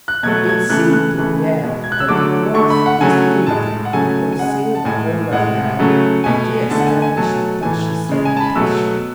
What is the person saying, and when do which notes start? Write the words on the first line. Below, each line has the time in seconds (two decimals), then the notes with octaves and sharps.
It seemed to Pierre that it was his duty to conceal the whole affair and re-establish Natasha's reputation.
0.08 F#6
0.23 B2 F#3 A3 G#6
0.49 G#6
0.70 C#3 E3 A3 F#6
0.93 F#6
1.16 C#3 E3 A3
1.62 B2 G#3
1.84 G#6
1.92 F#6
2.00 E6
2.08 D3 F#3 A3 D6
2.54 D3 A3 C#6
2.70 B5
2.86 F#5
3.00 C#3 F#3 A3 G#5
3.46 A2 G#3 A5
3.85 F#5
3.93 C#3 F#3 A3 G#5
4.33 G#5
4.39 C#3 G#3 F#5
4.75 A5
4.85 A2 G#3 G#5
5.31 A2 G#3 F#5
5.79 C#3 F#3 A3
6.24 B2 A3 G#5
6.70 D3 A3 A5
6.80 F#5
6.86 G#5
7.02 G#5
7.16 B2 F#3 A3 A5
7.63 A2 E3 A3 G#5
8.09 C#3 G#3
8.25 G#5
8.37 A5
8.41 B5
8.56 B2 F#3 A3 E6